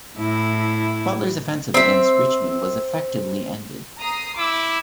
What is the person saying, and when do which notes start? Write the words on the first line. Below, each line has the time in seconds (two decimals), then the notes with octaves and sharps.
Butler's offensive against Richmond was effectively ended.
0.17 A2 E4
1.74 C4 E5
3.99 A#5 D#6 C7
4.38 E4 D6 E6